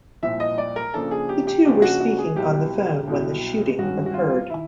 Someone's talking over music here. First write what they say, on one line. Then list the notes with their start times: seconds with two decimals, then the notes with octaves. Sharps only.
The two were speaking on the phone when the shooting occurred.
0.23 C2 A#2 F3 E5
0.40 D#5
0.58 D5
0.76 A#4
0.94 C#3 F3 A#3 D4 A4
1.11 G#4
1.29 G4
1.47 G4
1.65 C#3 F3 A#3 D4 G4
1.82 F#4
2.00 F#4
2.18 G#4
2.36 C2 B2 F#3 G4
3.08 C2 B2 F#3
3.78 G2 D#3 G#3 C#4 F#4
4.06 F#4
4.14 F4
4.50 D#3 E4